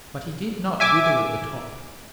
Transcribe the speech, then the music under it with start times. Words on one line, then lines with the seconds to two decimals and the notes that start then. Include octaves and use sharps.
But he did not wither at the top.
0.80 E5 G#5 D6